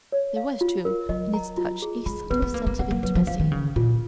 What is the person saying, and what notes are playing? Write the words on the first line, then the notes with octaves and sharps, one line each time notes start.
There was, too, in its touch a subtle sense of intimacy.
C#5
F5
F4
A#4
F#3 D#5
A#5
F4
G#4
G#3 B5
B3 B4
B3
A#3 B4
A#3
A#3 F#5
A#3
F#3 B4
F3
F3 F5
D#3
C#3 C#4
A#2 F4